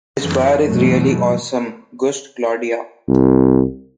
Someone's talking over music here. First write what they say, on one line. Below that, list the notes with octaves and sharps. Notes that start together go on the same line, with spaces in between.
This bar is really awesome, gushed Claudia.
F#2 E3
B2 E3 F#3 A3
C2